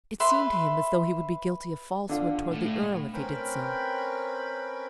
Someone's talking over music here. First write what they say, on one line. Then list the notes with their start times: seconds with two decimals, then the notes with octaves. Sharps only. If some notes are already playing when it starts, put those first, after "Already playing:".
It seemed to him as though he would be guilty of falsehood towards the earl if he did so.
0.20 B4 E5 C6
2.09 D3 F4
2.51 A2
3.13 C4 C#4 A#4 B4 G5 B5